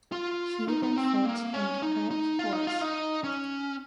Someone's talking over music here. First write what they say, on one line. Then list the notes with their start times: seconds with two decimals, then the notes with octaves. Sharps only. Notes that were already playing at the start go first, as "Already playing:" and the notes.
He then fought and Earth Force.
0.12 F4
0.68 D#4
0.83 D#4
0.97 C4
1.25 A#3
1.54 C#4
1.82 D#4
2.11 D#4
2.39 F4
2.53 D#4
2.67 F4
2.81 D#4
3.24 C#4